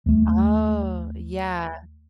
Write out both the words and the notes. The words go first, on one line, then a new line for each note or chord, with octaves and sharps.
Oh, yeah.
D#2 A3